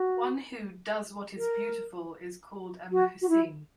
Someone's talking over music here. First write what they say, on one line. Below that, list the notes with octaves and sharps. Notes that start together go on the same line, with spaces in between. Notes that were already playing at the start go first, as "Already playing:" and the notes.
One who "does what is beautiful" is called a "muhsin".
Already playing: F#4
A#4
F#4
F#4
E4